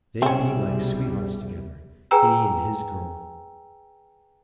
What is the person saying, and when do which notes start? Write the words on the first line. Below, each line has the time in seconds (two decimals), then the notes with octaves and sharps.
They'd be like sweethearts together, he and his girl.
0.22 C2 B2 G3 C4 C#4 G#4 E5
2.11 G#4 B4 G5 G#5 A#5 E6